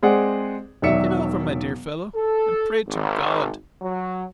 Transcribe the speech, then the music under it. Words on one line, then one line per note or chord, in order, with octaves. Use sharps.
Think it over, my dear fellow, and pray to God.
G#3 C4 G#4 D5 F#5
E1 D#3 F#3 D5 E5 C#7
A4
G#1
F#3